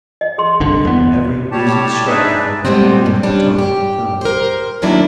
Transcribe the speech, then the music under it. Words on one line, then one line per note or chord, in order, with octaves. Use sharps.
They have every reason to strike before the Army of the Potomac can come.
D#5
G#4 C6
G1 C2 D3
E2 B3
A2 G3 G4 C#5 A5
D4 D#4 G#4 B4 D5 E5
A2 G3 G#3 B3 C4
G2
G3 C#4 D4
G4
A#4 C5
A2 D#3 F#3 A#3 D4 E4